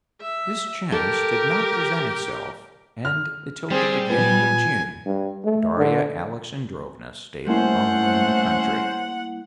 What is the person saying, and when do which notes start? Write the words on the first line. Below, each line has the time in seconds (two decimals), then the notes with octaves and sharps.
This chance did not present itself, and till the beginning of June Darya Alexandrovna stayed alone in the country.
0.21 E5
0.92 G4 A4 A#4
3.05 F6
3.70 G3 C4 G#4
4.09 A#2 B3 G#5
5.06 G2
5.45 A3
5.77 D3
7.47 G3 A3 A#3 C#4 E4 C5 F#5